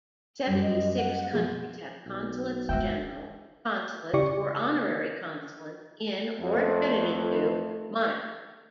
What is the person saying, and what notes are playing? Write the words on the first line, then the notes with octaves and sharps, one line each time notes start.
Seventy-six countries have consulates general, consulates, or honorary consulates in or accredited to Monaco.
F#2 G3
D#5
F#5
B2 F3 C4 G#4
B1
G#3 C4 F#4 E5 G5
C#3 E4 G4 D5 C#6
F2 A3